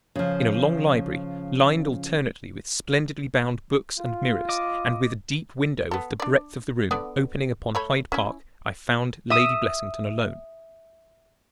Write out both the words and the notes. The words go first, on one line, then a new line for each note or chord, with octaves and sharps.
In a long library, lined alternately with splendidly bound books and mirrors, and with a deep window of the breadth of the room opening upon Hyde Park, I found Lady Blessington alone.
C#3 F3
F4
D#5 D6
B3 A4
D4 D5
D3 B3 D5
A3 C#5 B5
C#4 E4
E5 D#6